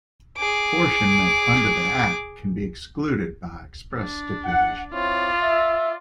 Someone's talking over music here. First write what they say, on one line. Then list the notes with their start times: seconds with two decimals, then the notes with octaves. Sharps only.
Apportionment under the act can be excluded by express stipulation.
0.37 G#4 D6
3.94 D4
4.46 F#5
4.93 C4 E4 F4 C#5 D5
5.43 E5